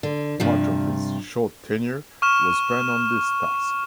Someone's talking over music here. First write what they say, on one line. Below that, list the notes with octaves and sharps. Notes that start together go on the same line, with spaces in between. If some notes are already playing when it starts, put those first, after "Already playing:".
Much of his short tenure was spent on this task.
D3
G2 C3 F3
C#6 F6 E7